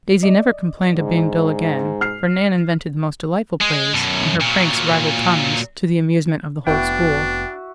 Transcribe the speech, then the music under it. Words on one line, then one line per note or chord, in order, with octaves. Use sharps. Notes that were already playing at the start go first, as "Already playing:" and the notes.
Daisy never complained of being dull again, for Nan invented the most delightful plays, and her pranks rivalled Tommy's, to the amusement of the whole school.
D5 D#5
G#2
F6 C7
G#3
F#2 B2
A#2 F#3
F1 B3 D4 E4 F#4 G5